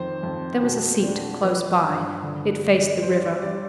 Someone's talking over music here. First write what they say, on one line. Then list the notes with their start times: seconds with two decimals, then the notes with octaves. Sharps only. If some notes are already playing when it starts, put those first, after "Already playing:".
There was a seat close by; it faced the river.
Already playing: F2 D#3 C5
0.23 F2
0.63 B2
1.02 D4
1.43 F3 B4
1.82 G2
2.23 D3
2.62 D4
3.02 G3 C5
3.22 D5
3.42 G3 D5